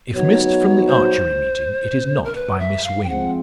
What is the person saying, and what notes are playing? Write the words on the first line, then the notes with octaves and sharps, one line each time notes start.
If missed from the archery meeting, it is not by Miss Wynn.
F#3 B3 D#4 F#4 C#5
C5
A#4
B4
E5
F5
G5
F3 G#3 C4 F#5